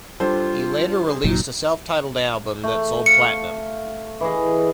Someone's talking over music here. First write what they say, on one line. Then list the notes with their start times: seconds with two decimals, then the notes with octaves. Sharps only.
He later released a self-titled album that sold platinum.
0.20 G3 D4 F4 A4 C5
1.08 G#4
1.24 F1 A#2 F#3 D#4
2.63 A3
3.06 F5 C#7
4.21 E3 G#4 D#5